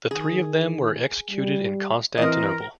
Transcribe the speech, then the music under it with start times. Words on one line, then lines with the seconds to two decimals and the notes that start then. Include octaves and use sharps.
The three of them were executed in Constantinople.
0.11 D#3 G#4
1.31 G3
2.17 E3 C4 A#4 D#5